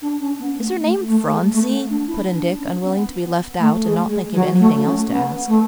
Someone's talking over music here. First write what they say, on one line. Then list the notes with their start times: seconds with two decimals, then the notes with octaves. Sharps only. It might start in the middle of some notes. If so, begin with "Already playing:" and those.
"Is her name Phronsie," put in Dick, unwilling to be left out, and not thinking of anything else to ask.
0.01 D4
0.19 C#4
0.38 B3
0.57 A3
0.82 A3
1.07 A3
1.33 G#3
1.51 A3
1.70 B3
1.89 D4
2.07 E4
2.33 D4
2.58 C#4
2.83 B3
3.59 A3
3.84 G#3
4.08 G#3
4.34 F#3
4.59 A3
4.84 C#4
5.09 B3
5.47 A3